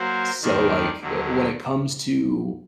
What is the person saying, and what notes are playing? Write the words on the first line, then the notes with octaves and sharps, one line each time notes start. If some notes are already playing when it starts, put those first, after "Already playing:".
so, like, uh, when it comes to
Already playing: F#3 A#3 F#4 C5
D#2 D#3 G3 A#3 D4
D#2 D3 F#3